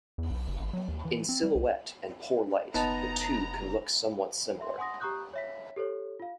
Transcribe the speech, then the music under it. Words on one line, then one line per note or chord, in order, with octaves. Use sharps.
In silhouette and poor light, the two can look somewhat similar.
E2
B1
F#1
G#1
F#3
D#2
E3
C4
G3
C2
F1 B3 D#4 A5 A#5
E5 C6
F#5 G#5 C6 D#6 A#6
G4 A#5 C#6 D#6 F#6 G6
C#5 E5 B6
G4 A4 C5 C#5
F4 F5